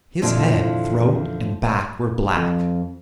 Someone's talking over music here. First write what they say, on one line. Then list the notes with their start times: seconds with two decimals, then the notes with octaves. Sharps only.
His head, throat and back were black.
0.22 F2 A#2 D3 E3 F3
2.36 F2